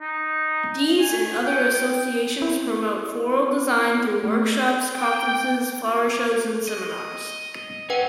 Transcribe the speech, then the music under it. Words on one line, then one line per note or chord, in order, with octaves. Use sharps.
These and other associations promote floral design through workshops, conferences, flower shows, and seminars.
D#4
G#5
G5
E4
A3
G5
D#5
G2 C#4 B4 F#5 G5